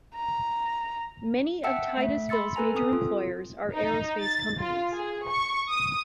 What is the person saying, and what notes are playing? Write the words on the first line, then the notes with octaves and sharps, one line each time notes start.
Many of Titusville's major employers are aerospace companies.
A#5
E5 F#5 G5 A5 E6 C#7
A3 E5
B5 C6 E6 A6 C#7
A4 B4 G#5 A#5
C4 A4 D#6
F4
D#4
A6
F4
G#4
C#6
D#6